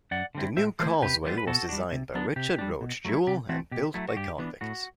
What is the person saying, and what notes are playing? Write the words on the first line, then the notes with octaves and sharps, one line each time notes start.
The new Causeway was designed by Richard Roach Jewell and built by convicts.
F#2 D5 F#5
D3 G3 C4 E4
A2 C5 E5
E3 A3 E4 A4 C5
C3 G4 B4
E3 G3 B3 E4 C5
B4
B2 F#4 A4
G3 D4
C3
F#3 B3 D4
C3 G4
G3 D4
B2
F#3 A3 E4
C3 G4
E3 A3 C4 F#4
B2 G4
F#3 A3 E4
F#4
G2 G4
E3 B3 D4
A2 F#4